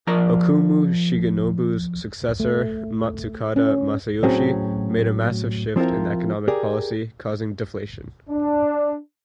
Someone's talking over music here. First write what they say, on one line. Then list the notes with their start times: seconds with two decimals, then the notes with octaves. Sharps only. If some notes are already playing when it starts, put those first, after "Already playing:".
Okuma Shigenobu's successor, Matsukata Masayoshi, made a massive shift in economic policy, causing deflation.
0.07 F3 A#4 D5 A#5
2.40 A3
3.56 C#4
4.23 A2 F#3 C4 C#4 F#4 G#4
5.76 F3 C4 E4 F4 A#4
6.48 G4 G#4 A#4 D5
8.30 D4